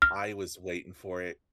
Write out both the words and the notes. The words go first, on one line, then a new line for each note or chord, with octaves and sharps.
I was waiting for it.
F6